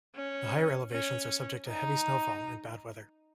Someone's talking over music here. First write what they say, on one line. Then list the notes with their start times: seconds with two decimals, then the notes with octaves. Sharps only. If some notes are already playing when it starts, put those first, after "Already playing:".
The higher elevations are subject to heavy snowfall and bad weather.
0.16 C#4
0.91 C#4
1.68 D#4